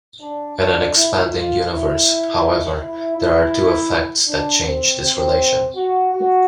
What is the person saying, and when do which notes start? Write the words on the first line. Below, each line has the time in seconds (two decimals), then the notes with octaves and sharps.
In an expanding universe, however, there are two effects that change this relation.
0.20 D4
0.58 D4
0.95 E4
1.32 F4
1.68 E4
2.79 E4
3.16 E4
4.27 D4
4.64 C4
5.00 C4
5.75 F#4
6.12 F#4